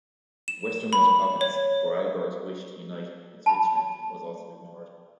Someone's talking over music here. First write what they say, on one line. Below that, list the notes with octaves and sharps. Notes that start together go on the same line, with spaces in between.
The westernmost province Vorarlberg's wish to unite with Switzerland was also ignored.
E7
B5
C#5
A5 B5